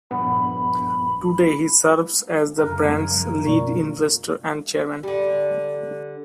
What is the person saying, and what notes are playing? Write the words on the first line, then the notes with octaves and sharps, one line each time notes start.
Today he serves as the brand's Lead Investor and Chairman.
A#1 G2 B3 B5
F#2 C#3 A#4 F6 F#6
F3 G3
B2 A#3 C#4 F4 D5 C#6
D3 G3